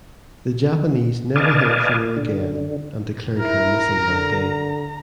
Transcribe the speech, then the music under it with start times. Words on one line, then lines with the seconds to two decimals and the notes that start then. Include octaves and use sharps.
The Japanese never heard from her again and declared her missing that day.
1.36 B4 D5 D#5 F5 G#5 A5
2.17 D3
3.40 E4 A#4 A#5
4.02 D3